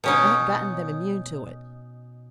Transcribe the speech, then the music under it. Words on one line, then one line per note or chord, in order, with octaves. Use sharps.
I had gotten them immune to it.
B2 C#4 D#4